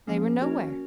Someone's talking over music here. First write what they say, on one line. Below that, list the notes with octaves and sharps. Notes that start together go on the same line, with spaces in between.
They were nowhere.
F3 A#3 C#4 G#4
C#4 F#4 A#4 C#5